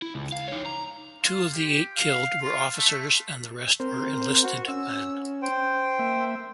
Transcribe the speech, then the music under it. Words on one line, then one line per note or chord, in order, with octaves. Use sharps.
Two of the eight killed were officers and the rest were enlisted men.
E4
C#2
F5
D#4 C#5
A#5
F4
G4
F5
F4
A3
C4 A#4 C5
F#4
C#4 E6
C5 G5
A#3 E5